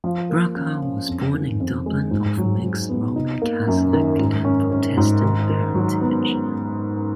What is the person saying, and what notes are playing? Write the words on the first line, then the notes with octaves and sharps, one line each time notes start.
Brugha was born in Dublin of mixed Roman Catholic and Protestant parentage.
F3
A#3
C#4
C#4
F2
D#3
F2
G#3
G#2
F#3
F#3
B3
D#4
A#3
F#2
D#3
G#2
C#4
C#4
G#2
D#3
D#3
F#3
B3